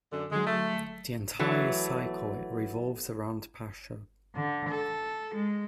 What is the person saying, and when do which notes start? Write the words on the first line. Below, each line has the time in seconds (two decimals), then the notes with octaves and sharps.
The entire cycle revolves around Pascha.
0.13 F#2 D3
0.31 D3 F#3 G#3
0.47 A3
1.39 E3 F#3 A3
4.35 D3
4.69 A4
5.34 G#3